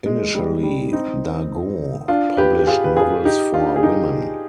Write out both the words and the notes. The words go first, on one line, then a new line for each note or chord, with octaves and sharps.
Initially, Dargaud published novels for women.
G#3
G3
G3
C4 D#4
D4 F4
G4 B4
G4
F4 G#4
B4
F4 G#4
D#4 G4
D4 F4
G#4
D#4 G4